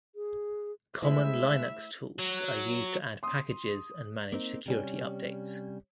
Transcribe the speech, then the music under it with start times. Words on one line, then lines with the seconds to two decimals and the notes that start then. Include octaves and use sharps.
Common Linux tools are used to add packages and manage security updates.
0.15 G#4
1.02 G#3 A3 E4 C5 E5 B6
2.19 F#3
3.23 C6 D#6
4.33 A#3 C4 D#4
4.66 C3 G3 C#4